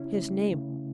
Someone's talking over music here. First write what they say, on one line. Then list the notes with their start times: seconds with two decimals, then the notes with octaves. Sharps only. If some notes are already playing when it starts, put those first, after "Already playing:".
His name?
Already playing: C#3 C#4 E4
0.17 A3
0.52 C#3